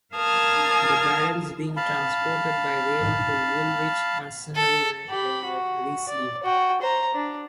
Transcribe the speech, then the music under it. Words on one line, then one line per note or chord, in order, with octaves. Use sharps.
The barrels being transported by rail to Woolwich Arsenal where they were re-sleeved.
A#4 F5 A5 D#6 F6 G#6
F5 A5 B5
A4
G4 B5
F#4
D5
F#4 G5
C5 A#5
D4